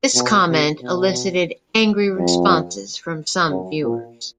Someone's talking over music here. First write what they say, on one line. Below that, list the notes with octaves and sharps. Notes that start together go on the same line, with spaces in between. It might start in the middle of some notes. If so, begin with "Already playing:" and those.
This comment elicited angry responses from some viewers.
B2
C3
B2
F2
F#2
A#2